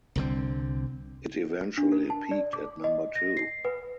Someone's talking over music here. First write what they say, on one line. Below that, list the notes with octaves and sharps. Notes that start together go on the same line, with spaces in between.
It eventually peaked at number two.
C2 D3 C4
D4
A#4
A5
D5
D6
D#5
A#6
C7
B4